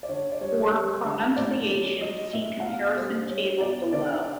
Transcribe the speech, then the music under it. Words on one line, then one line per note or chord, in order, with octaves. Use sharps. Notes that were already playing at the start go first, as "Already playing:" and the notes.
For pronunciations see comparison table below.
D5
D3 C#5
D5
G3 C#5
G3
D3
A2 D5
F#3
F#3 D#5
A2 E5
F#5
B2 F5
G3 C5
G3 C#5
B2 D5
D3 D5